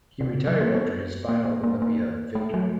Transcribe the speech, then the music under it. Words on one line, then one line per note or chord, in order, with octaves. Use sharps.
He retired after his final Olympia victory.
C3
C#3
F#3
A#3
B3
A#3
A#3
A#3
A#3
A3
F#3